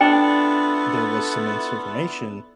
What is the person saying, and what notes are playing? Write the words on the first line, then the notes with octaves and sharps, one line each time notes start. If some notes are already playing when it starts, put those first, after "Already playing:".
there was some misinformation,
B3 D4 E4 F4 A4 G5